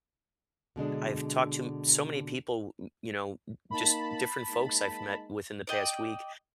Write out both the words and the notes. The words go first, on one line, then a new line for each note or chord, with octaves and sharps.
I've talked to so many people, n you know, n n just different folks I've met within the past week
B2 D3 G#3 D4
A#3 D#4 A5 B5
G#3 A#3 D#4
D5 D#5 G5